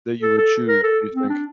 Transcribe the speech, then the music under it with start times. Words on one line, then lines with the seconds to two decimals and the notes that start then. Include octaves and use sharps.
that you would choose, do you think?
0.22 A4
0.38 A4
0.68 A#4
0.83 A4
1.14 C4
1.30 D4